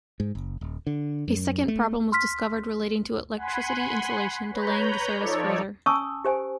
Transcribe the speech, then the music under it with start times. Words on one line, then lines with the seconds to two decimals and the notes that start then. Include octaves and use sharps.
A second problem was discovered relating to electricity insulation, delaying the service further.
0.20 G#2
0.35 F#1
0.61 D#1
0.87 D3
1.28 F#2
1.68 A3
2.12 C6 F6 B6
3.36 F#5 G#5 B5 C6
4.51 B4 C#5 A#5 B5 G6
5.16 F3 D#4 A4 C#5 D5
5.86 C#4 G#5 A5 C#6 D#6 E6
6.25 G4 C5 G#5